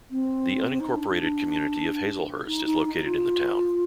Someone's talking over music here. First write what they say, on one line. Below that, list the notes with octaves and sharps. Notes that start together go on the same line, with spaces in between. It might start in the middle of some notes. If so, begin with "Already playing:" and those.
The unincorporated community of Hazelhurst is located in the town.
C4
D#4
D4
D#4
D#4
D#4
F4